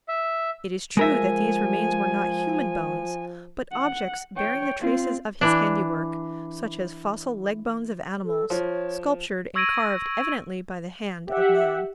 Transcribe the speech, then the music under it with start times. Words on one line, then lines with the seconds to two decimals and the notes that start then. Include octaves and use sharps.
It is true that these remains were not human bones, but objects bearing the traces of his handiwork, such as fossil leg-bones of animals, sculptured and carved evidently by the hand of man.
0.08 E5
0.97 F3 G#3 A#4 E5 G#5
3.72 F#5
4.37 C#5 G5
4.80 C4 F4
5.41 E3 D4
8.25 A4
8.50 F3 C#5
9.55 C#6 E6 G#6 A#6 D7 D#7
11.27 G4 E5 F#5